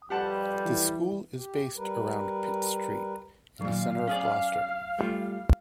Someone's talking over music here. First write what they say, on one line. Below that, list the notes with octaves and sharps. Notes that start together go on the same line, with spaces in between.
The school is based around Pitt Street in the centre of Gloucester.
F2 G3 G4 B4 F#5 A5
E3
G4
G3 A#4 B4
A#2 D#3 F#3 F5
C#4 G#4 D5
G3 A3 F4